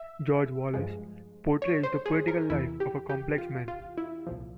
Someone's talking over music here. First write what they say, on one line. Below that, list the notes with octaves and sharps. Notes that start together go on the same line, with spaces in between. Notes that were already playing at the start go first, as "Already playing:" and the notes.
"George Wallace" portrays the political life of a complex man.
Already playing: E5
G2 F3 G#3
C#5
C5
G#4
A#4
E2 C3 E3 E4
G4
G4
F4
F4
E4
C2 A#2 F3